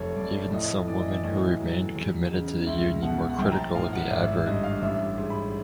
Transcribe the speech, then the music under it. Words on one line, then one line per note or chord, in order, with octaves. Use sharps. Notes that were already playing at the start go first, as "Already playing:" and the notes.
Even some women who remained committed to the union were critical of the advert.
Already playing: F1 F2 C#5
F2 D5
A2 D#5
E3 D5
D#5
D5
A2 D#5
F#3
E2
C#3
C#2 E5
B2 F#5
F#5
A#1 G5
A#5
A5
A2 F5
F#5
G#1 E5
E5
G2 D#5
F5
A1 E5
G#2
B5